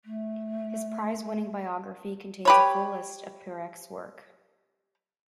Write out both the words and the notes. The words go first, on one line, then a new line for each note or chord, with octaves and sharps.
His prize-winning biography contains a full list of Perec's works.
A3
G4 B4 C#5